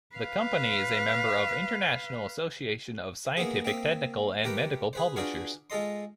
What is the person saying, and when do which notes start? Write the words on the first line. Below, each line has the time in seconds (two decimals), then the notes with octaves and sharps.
The company is a member of International Association of Scientific, Technical, and Medical Publishers.
0.15 B4 F5
3.37 A#3 B3 E4 G#4
3.65 A#3 C4 E5 D#6
4.44 A3 G4 A#4 B4 G5
4.93 G#4 B4 C5
5.16 D4 F4 F#4 G#4 B4 F5
5.70 G#3 F4 A4 D#5 C6